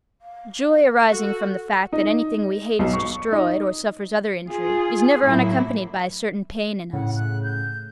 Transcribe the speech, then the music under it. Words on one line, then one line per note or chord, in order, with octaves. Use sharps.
Joy arising from the fact, that anything we hate is destroyed, or suffers other injury, is never unaccompanied by a certain pain in us.
F5
F#4 A4
D#4
B1
C#6
D#4
F4 G#4
A2 F#3 A#3 E4
A2 C#3 F#5
F#6
G6